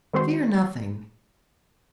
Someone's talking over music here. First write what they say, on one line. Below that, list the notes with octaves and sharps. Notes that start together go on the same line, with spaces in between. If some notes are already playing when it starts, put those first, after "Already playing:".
'Fear nothing.
D#3 G#3 C4 F#4 C5